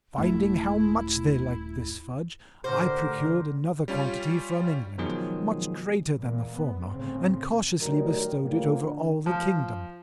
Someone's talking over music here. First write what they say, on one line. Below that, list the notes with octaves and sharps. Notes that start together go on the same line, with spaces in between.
Finding how much they liked this fudge, I procured another quantity from England, much greater than the former, and cautiously bestowed it over all the kingdom.
D#1 G2 A3 E4
A2 D3 F#4 G4 A#4 C5
G3 C#4 F4
B2 D#3 F3 F#3 G#3 G#4
A#2 E3 G#3 A#3
B3
G1 A2 C#3 C4
A2 D#3 F#3 G3 A#4
A2 C#3 F3 G3 A#3
D3
F3